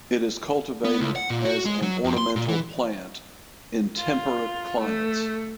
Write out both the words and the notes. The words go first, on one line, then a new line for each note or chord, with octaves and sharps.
It is cultivated as an ornamental plant in temperate climates.
B3
C#2
F#5
A#2
F#4
G#3
F#3
F2
C6
A#2
E3
F4
A3